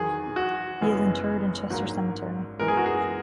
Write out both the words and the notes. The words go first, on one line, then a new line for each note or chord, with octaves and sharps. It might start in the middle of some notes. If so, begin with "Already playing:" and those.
He is interred in Chester Cemetery.
Already playing: E2 D#3 F#3 G#4
F#4
F#1 F#2 E3 G#3 B3
A#1 G#2 F#3 A#3
F#2 E3 G#3 B3 A#4
G#4
F#4
G#4